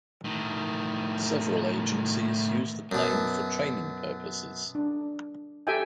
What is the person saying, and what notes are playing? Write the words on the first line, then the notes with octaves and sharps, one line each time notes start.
Several agencies use the plane for training purposes.
A2 D#3
F#2 B2
D4
G4 A4 E5 G5 G#5